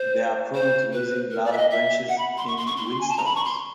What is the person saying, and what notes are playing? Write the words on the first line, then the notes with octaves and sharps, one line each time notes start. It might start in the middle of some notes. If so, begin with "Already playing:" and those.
They are prone to losing large branches in windstorms.
Already playing: C5
C5
B4
A#4
D5
E5
D#5
E5
F#5
B5
C6
C#6
C6
C#6
C6
G#5
A5
A#5
B5
C#6
C6